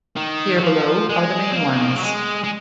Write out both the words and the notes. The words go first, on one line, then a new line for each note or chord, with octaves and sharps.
Here below are the main ones.
D#3
F#3
F3
G#3
C4
A#3
C#3
D#3
F3
F#3
G#3
G#3